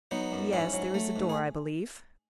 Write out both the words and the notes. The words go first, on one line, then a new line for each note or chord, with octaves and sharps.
"Yes, there is a door, I believe."
F#3 B3 D#4
F#2
G#2 C#4 E4
F#3
A3
G#2
G#4